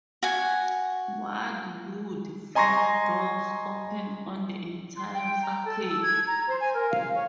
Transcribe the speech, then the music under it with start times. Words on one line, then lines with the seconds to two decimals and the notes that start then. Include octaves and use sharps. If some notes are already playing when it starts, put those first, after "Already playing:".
Wide wood-frame doors open on the entire facade.
0.23 F#4 G#5
2.55 D#5 G#5 A#5 C6 C#6 A#6
4.96 C6
5.12 G5
5.42 A#5
5.64 A4
5.84 E6
6.03 G#6
6.27 A#5
6.47 C5
6.59 G#5
6.74 A#4
6.90 F5
7.13 C#5